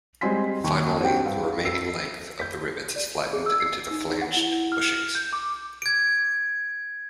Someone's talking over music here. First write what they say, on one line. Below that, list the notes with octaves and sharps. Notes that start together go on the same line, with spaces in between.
Finally the remaining length of the rivets is flattened into the flanged bushings.
G3 G#3 C4 G#5 C6 B6
D#2 C#6
C4 D4 F#4 G4 G5
G2
E6 C7
G6 B6
D5
G#4
E6
C7
D#4
D#4
F#5
E4
F6
G6
D6
G#6 D7